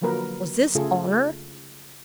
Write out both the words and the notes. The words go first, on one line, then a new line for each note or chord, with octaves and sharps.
Was this honor?
D3 F3 F#3 A#3 A#4 B4
C#3 A3 F4 G#4 A4